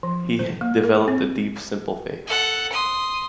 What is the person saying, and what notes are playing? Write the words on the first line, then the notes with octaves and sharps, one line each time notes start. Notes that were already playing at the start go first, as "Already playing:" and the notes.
He developed a deep, simple faith.
F3
C5
A#3
A#4
C4
A4 F#5
C6 D#6